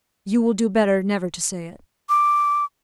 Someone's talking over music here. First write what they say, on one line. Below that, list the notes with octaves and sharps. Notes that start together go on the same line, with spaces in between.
"You will do better never to say it."
D6